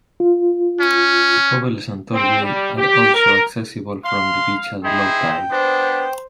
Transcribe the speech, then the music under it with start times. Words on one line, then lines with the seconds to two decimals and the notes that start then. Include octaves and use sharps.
Pobbles and Tor Bay are also accessible from the beach at low tide.
0.20 F4
0.80 C#4
2.13 C4
2.43 G3
2.78 G4
3.14 A#4
4.05 F5 C6
4.84 D#4 E4 G#4 C5 G5
5.51 B3 D4 C5